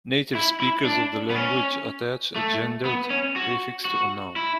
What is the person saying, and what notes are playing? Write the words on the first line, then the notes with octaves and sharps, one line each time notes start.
Native speakers of the language attach a gendered prefix to a noun.
E4
E4
D4
B3
C#4
A3
B3
C#4
F#4
F#4
E4